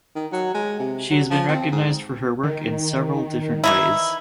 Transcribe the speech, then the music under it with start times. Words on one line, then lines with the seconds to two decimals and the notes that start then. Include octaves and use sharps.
She has been recognized for her work in several different ways.
0.15 D#3
0.32 F#3
0.54 G#3
0.79 C3
1.10 F#3
1.30 F3
1.48 C4
1.72 G#2
2.44 D#3
3.64 E3 D#4 E4